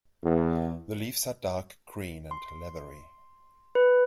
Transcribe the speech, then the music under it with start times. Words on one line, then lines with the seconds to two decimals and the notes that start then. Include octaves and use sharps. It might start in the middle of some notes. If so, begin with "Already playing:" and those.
The leaves are dark green and leathery.
0.23 E2
2.31 C6
3.75 B4